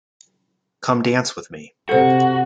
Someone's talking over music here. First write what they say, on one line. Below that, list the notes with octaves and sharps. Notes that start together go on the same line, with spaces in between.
Come Dance with Me!
C3 F#4 A4 C5